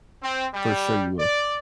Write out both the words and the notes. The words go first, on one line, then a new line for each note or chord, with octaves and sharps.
for sure you will.
C4
G3
D5